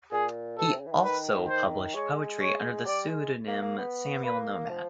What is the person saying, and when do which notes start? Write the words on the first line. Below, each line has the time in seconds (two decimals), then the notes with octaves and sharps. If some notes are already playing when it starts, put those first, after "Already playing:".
He also published poetry under the pseudonym Samuel Nomad.
0.12 A#2 G#4
0.58 B2 A4
0.68 C3
0.80 C#3
0.86 E3
0.91 D#3
1.03 B4
1.49 C5
1.95 G#3 C#5
2.41 C#5
2.86 G3 D5
3.09 G#3
3.47 A#3
3.62 A#3
3.78 B3
4.24 A#3 B4
4.70 F3